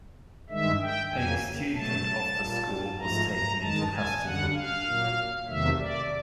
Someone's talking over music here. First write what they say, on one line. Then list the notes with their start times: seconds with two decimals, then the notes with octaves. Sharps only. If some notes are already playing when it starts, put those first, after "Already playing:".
A student of the school was taken into custody.
0.50 G2 D#3 G#3 E5
0.81 G5
1.12 F2 C#3 F#3 A#3 G#5
1.74 B2 F#3 A3 A5
2.37 A#2 G3 A#3
2.99 G#2 F3 A3 A#5
3.30 A#5
3.61 G2 D#3 G#3 A5
3.92 G#5
4.24 F#2 D3 G3 F#5
4.54 F5
4.86 A#2 F#3 A#3
5.48 E2 C3 D#3 F#3 A3 E5
5.79 D5